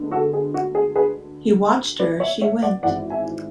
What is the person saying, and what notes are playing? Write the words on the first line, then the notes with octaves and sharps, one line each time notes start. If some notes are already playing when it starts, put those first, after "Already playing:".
He watched her as she went.
Already playing: D2 D3 G#3 B3 D4
F#4 A4
G#4
F#4
G#4
G#4 B4
B4 D5
C#5 E5
C#5 E5
D5 F#5
G#1 G#2 E3 D5 F#5
E5 G#5